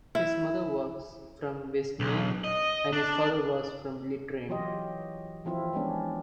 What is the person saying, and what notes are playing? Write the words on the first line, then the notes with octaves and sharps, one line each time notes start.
His mother was from Westmeath and his father from Leitrim.
E4
B1
D#5
D4
E3 F#3 F4 G4 D#5
E3 F3 C4 E4 F4
E3 G3 G#3 B3 C#4 D4